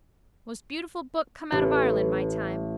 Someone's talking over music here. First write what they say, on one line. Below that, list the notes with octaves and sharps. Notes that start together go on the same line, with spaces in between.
Most beautiful book come out of Ireland my time.
A1